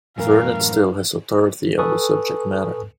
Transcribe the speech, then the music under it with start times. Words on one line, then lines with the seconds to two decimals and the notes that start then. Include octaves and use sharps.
Vernet still has authority on the subject matter.
0.18 F#2 A2 E3 A#4 F5
1.79 A4 B4 G#5 C#6 D#6